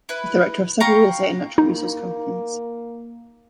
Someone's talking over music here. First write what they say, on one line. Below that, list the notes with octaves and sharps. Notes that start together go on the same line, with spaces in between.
He is the director of several real estate and natural resource companies.
E4 B4
F5 G5 A#5 C#6
A#3 D#4